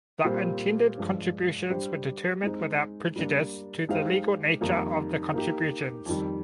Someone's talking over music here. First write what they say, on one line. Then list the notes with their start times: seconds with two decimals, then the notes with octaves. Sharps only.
The intended contributions were determined without prejudice to the legal nature of the contributions.
0.24 A#2 G3 C4 G4 C5
0.98 G2 F3 G#3 D4
1.70 G3 D4 G4 C5
2.43 G#3 C4 D#4
3.16 G3 A#3 D4
3.89 G#3 D#4 G4 C5 F5
4.61 F2 D#3 G3 A#3 D#4
5.34 A#3 D#4 G4
6.06 F2 D#3 G3